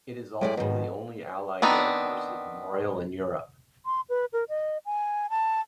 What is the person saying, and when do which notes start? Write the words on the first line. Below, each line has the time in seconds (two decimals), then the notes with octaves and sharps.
It is also the only Allied Air Forces Memorial in Europe.
0.41 A2 G#3 G4 D5
0.57 G#2 B2 D#3
1.62 D#3 B3 C4 D4
3.86 C6
4.09 B4
4.33 A#4
4.49 D#5
4.86 G#5
5.30 A5